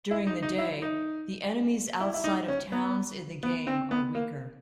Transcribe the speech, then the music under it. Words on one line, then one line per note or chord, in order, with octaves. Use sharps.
During the day, the enemies outside of towns in the game are weaker.
E4
D#4
D#4
E4
D#4
E4
E4
D#4
C#4
B3
B3
C4
B3
A#3